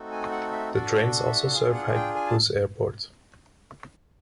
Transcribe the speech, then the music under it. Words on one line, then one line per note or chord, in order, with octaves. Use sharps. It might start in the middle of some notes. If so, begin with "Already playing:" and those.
The trains also serve Haikou's Airport.
Already playing: A3 C4 D#4 F#4 A4
G#5
F#5
E5
D4 F#4 A4 D5
E5
D4 F4 G#4 F5
F#5
G5
G#5
A5